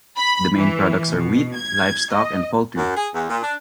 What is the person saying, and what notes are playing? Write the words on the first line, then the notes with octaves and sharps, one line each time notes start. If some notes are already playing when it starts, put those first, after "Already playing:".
The main products are wheat, livestock, and poultry.
B5
E3
B2
G#6
D#5
F#2
G#4
E2
A#2
D4